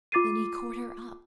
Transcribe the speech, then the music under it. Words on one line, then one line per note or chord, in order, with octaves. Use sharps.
Then he caught her up.
F4 D6 A6 C7 D#7